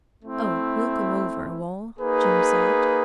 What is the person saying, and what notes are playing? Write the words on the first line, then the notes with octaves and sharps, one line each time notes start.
"Oh, we'll go over, Wal," Jim said.
A3 C4 E4
A#3 D#4 G#4 B4